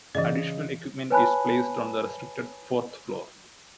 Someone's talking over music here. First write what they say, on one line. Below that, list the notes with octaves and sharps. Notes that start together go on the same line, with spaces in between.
Additional equipment is placed on the restricted fourth floor.
C#3 E3 D5 D#5
B4 C#5 G#5 A5 B5 F#6